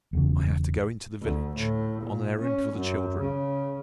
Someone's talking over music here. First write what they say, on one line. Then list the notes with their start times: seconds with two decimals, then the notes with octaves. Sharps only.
I have to go into the village, on an errand for the children.
0.13 E1 C#3
1.21 D2
1.57 A2
2.03 A#2
2.42 C#4
2.77 F#2
3.21 C#3